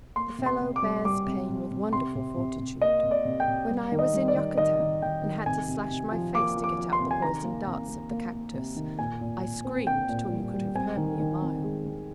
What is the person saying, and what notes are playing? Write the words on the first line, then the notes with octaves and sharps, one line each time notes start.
The fellow bears pain with wonderful fortitude. When I was in Yucatan, and had to slash my face to get out the poisoned darts of the cactus, I screamed till you could have heard me a mile.
A#3 C6
C3
C6
C3
D6
G3
G3 D6
C3
C3
C3
C3 C6
C3
C3
C3
A#3 D#5
C3
D5
C3
G5
C3
G3
D#3
D#5
G3
D5
D#3
D#3 D#5
D#3
D#3 G5
D#3
C3 G#5
C3
C3
F3
A#3 D6
F3
D6
F3
C6
C3
G#5
D#3 A#5
A#3
C3
A#3
A#3
A#3
C3
D#3
A#2 G#5
A#2
A#2
C4
C4 G5
A#2
G3
G3
C4 G#5
D#3
D#3
C4
G#3
D#3